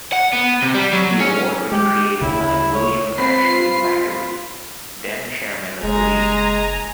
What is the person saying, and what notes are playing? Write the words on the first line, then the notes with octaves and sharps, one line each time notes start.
The award was created by William Ashley Magarey, then chairman of the league.
F#5
B3
C3
G3
F#3
C#4
G#3 G4
D2 C#3 E4
C#5
C4 F4 B4 C7
F#1 G#3 G#5 A#5